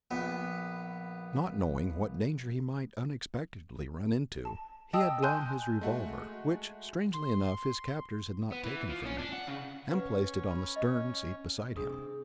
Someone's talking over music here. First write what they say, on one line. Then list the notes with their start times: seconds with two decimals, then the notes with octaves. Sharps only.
Not knowing what danger he might unexpectedly run into, he had drawn his revolver, which, strangely enough his captors had not taken from him, and placed it on the stern seat beside him.
0.11 A#1 B3
4.45 A5
4.93 D#5 G5 A5 D#6 E6
5.23 G#5 A5 C6 F#6 G6
5.81 G#3 A3 F#4
7.14 C6
8.52 B3
8.64 E3
8.89 F3
9.06 C#4
9.18 D4
9.33 F#5
9.48 C#3
9.91 C#4 B4 F#5
10.51 B5
10.76 D#5
11.77 C3 D4 G#4 D#6